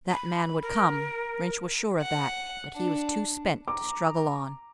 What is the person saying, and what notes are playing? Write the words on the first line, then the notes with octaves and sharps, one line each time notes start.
That man would come, Rynch was sure of that, but he was too spent to struggle on.
B5
A#4
F#5
D4
A#5 D6